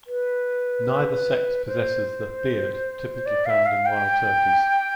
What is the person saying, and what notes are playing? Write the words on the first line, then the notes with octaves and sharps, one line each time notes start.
Neither sex possesses the "beard" typically found in wild turkeys.
B4
C5
D5
F5
E5
F5
G5